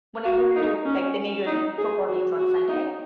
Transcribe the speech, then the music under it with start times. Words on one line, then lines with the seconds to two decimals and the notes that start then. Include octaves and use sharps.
whenever, like, the major football games on Sunday,
0.24 F#4
0.55 D#4
0.85 C#4
1.46 D#4
1.77 G#4
2.07 F#4
2.38 F#4
2.68 D#4